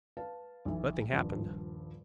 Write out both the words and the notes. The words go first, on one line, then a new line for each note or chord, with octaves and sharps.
Nothing happened.
B4 F5 A5
B1 E3
D#1 G2 F3